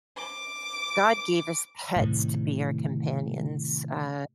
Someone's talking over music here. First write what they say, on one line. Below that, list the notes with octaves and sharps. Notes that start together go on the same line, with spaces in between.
God gave us pets to be our companions, uh,
D6
A2 C3 D#3